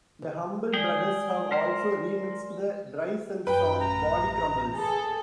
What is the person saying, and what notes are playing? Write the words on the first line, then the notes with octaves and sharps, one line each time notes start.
The Humble Brothers have also remixed the Dry Cell song Body Crumbles.
G#3 G#4 D5 G5
A#4 C5
F#2 B4 G5
A1 A#5
G#4 A4